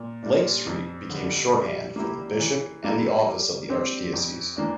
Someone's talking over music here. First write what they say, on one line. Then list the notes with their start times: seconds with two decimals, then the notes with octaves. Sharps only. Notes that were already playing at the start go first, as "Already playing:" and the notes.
"Lake Street" became shorthand for the Bishop and the office of the Archdiocese.
Already playing: A#2
0.23 G3 D4
0.66 F2
1.10 D3 G3
1.53 G3
1.96 A#3 E4 G4
2.39 E3
2.83 G3 A#3 E4 A4
3.26 G3
3.69 C4 G4 C5
4.13 F2
4.56 E3 A#3 D4